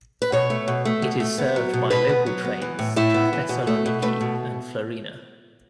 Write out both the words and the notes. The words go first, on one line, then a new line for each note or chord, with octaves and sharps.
It is served by local trains to Thessaloniki and Florina.
B4
B2 C#5
A3
B2
A3
B2
A3
B3
F#3
B2
B2 B4
B3
F#3
B3
E3
A2
A2 E4
B3
E3
B2
A3
B2
A3 B4
B2